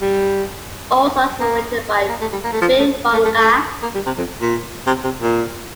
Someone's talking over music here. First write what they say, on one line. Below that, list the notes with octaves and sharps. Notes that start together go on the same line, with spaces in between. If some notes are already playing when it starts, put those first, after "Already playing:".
All songs were written by Bic Runga.
G3
A#3
A#3
A3
G3
A#3
A3
F3
A3
A3
A3
A3
A#3
G3
C3
F2
A#2
C3
C3
A#2